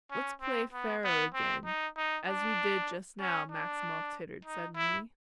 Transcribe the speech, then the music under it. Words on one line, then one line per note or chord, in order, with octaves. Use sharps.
"Let's play faro again, as we did just now," Maximov tittered suddenly.
C#4
C4
B3
B3
C4
D#4
D#4
D4
C#4
D4
D#4
E4